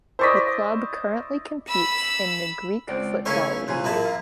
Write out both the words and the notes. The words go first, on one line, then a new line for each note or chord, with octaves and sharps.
The club currently competes in the Greek Football League.
E4 C5 D5 D#5 C#6 B6
B5 E6
C#2 C4 D5
C#3 A3 C#4 E4 A#4 C#5 F5
C3 E3 F4 C#5 G#5
F#2 A#3 E4 G#4 A5 B5
F5 A#5